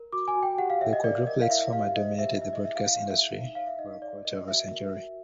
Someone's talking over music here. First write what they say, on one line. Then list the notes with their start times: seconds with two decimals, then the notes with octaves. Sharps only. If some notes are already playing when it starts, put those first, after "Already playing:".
The Quadruplex format dominated the broadcast industry for a quarter of a century.
Already playing: A#4
0.12 F#4 D6
0.28 G#5
0.36 F#4
0.43 G5
0.58 G4 F#5
0.70 F5
0.81 C#5 E5
0.93 D#5
1.04 A#4 D5
1.27 A#4 D#5
1.42 F5
1.50 E4 E5
1.73 G4 F5
1.96 C5 D#5
2.19 G4 E5
2.42 E4 E5
2.53 D#5
2.64 G#4 E5
2.76 F5
2.87 E4 F5
3.10 G#4 E5
3.33 D#4
3.55 C#5 F5
3.67 E5
3.79 D#4 D#5
4.02 C#5 D5
4.25 A#4 D#5
4.48 F#4 E5
4.71 A#4
4.94 F#4